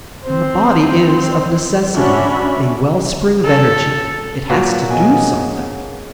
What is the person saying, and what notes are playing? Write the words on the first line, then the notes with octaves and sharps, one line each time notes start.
And the body is, of necessity, a wellspring of energy; it has to do something.
C4 C5
C#4 D4 F#4 C#5 E5 B5
A4
A#2 F#3 A#3 F#4 B4
B2 G#4 D#5 G#5